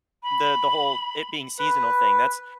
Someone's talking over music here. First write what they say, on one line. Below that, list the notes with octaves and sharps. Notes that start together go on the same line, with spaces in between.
the the whole it being seasonal thing. That's
B5
B4